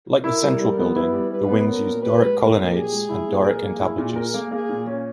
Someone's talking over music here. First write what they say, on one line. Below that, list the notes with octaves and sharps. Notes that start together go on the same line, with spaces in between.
Like the central building, the wings use Doric colonnades and Doric entablatures.
E4 A#4
G3
G3 A#4
B3
E4 B4
G3
G3 B4
B3
C#4 A#4
A#2
G4 B4
G#3
C#4 A#4
A#2
G4 G#4
G#3
E4
A#2
A#4
A#3
E4
A#2
A#4
A#3
A#3 G#4
A#2
C#4